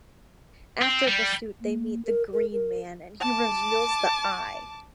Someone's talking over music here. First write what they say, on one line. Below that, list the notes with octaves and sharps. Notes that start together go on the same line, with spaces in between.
After a pursuit they meet the Green Man and he reveals the Eye.
C4
G3
A#3
A#4
A#4
A#4
A5 D6